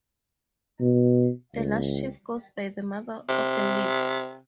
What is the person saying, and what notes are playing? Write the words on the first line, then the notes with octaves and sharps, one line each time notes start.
The last sheaf goes by the Mother of the Wheat.
B2
C#2
C3